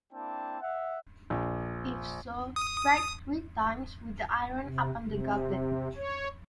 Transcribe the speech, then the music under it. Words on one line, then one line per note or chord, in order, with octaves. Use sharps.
If so, strike three times with the iron upon the goblet.
A#3 C4 D4 E4 G5 A5
E5 F#5
A#1
D#6
C3
C3
C#5